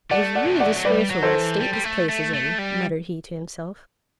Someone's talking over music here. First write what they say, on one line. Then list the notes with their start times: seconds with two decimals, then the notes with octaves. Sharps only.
"It is really disgraceful what a state this place is in," muttered he to himself.
0.11 A3 D5 F#5
0.35 D5 F#5
0.45 C3
0.54 D3
0.60 D5 F#5
0.65 E3
0.75 F#3
0.85 G3 B4 D5
1.10 F#3
1.22 A4 C5
1.35 E3
1.60 G3
1.73 G3
1.84 A3
2.09 A3
2.34 A3
2.59 G3